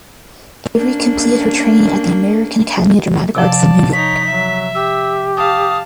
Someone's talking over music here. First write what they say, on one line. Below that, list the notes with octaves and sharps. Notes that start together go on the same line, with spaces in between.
Avery completed her training at the American Academy of Dramatic Arts in New York.
A#3 C#4 D4
C3 F3 D5 A5
D#4 C#5 B6
F#3 E5
G4 E6
F5 A5 D#6